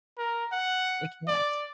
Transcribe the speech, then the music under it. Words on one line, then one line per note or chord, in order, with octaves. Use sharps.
It can't.
A#4
F#5
D5